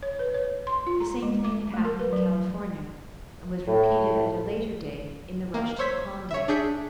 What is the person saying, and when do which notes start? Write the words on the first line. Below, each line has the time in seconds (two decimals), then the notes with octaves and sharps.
The same thing had happened in California, and was repeated at a later day in the rush to the Klondike.
0.03 C#5
0.19 B4
0.34 C#5
0.67 C6
0.87 F4
1.00 A#5
1.22 G#3
1.45 D6
1.74 A3
1.85 A#4
1.99 B4
2.13 F#3
3.68 A2
5.54 A#3
5.79 C5 C#5 E6 G#6 B6
6.31 C#5 E5
6.48 D4 G#4 E5 G6 B6 C#7